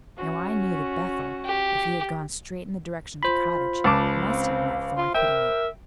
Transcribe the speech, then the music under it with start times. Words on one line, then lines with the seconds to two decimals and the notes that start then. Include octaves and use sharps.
Now I knew that Bethel, if he had gone straight in the direction of the cottage, must have met Thorn quitting it.
0.17 C#4 F#4
1.45 G4
3.23 F4 C5 B5
3.84 C#2 A5 D6
4.28 C4 F5
4.98 F4
5.14 A#4 E5 G5